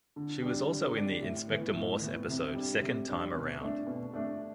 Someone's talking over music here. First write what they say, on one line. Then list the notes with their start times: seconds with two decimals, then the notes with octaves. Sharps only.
She was also in the "Inspector Morse" episode "Second Time Around".
0.16 D3
0.42 G3 D4
0.69 D3
0.95 G3 D4
1.22 A2
1.48 E3 B3
1.75 A2
2.01 E3 B3
2.28 C3
2.54 G3 D4
2.82 C3
3.07 G3 D4
3.35 B2
3.60 A3 D4
3.87 B2
4.13 A3 D4